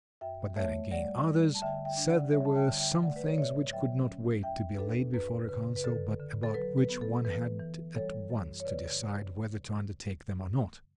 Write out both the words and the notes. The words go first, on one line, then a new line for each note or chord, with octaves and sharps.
But then again others said there were some things which could not wait to be laid before a Council, but about which one had at once to decide whether to undertake them or not.
F#2 E5 G5
A3 C#5 E5
G3 D5 F#5
G3
A5
D3 E5 G5
E5 G5
D4
D5 F#5
G3 C#5 E5
A5
E5 G5
D3
E5 G5
A3 D5 F#5
B4
C#5
D5
A2 C#5 E5
F#3 E5 G5
C#4
E2 E5 G5
B4
D4 A4
F#2 B4
C#3 B4
B4
D3 A4
D3
A4
F#3 B4
B4
B3
A4
E3 B4
E3
G3 A4 C#5
F#2
C#5
C#3 B4 D5